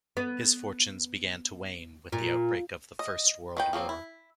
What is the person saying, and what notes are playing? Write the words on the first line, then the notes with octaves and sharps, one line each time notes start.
His fortunes began to wane with the outbreak of the First World War.
B3
A#2
D#5
D#3 B4 G5
F3 F#3 A#3 C4
E4